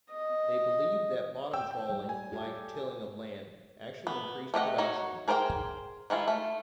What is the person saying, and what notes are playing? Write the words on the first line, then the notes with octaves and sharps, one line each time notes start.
They believed that bottom trawling, like tilling of land, actually increased production.
D#5
G5 E6
G5
G3
G#5
F4 G4 A4
B3
A3 G4 D#5 F#5
D#4 F#4 C#5
G#4 A#4 C5 D5 G5
D#3 G#3 E4 F4
A3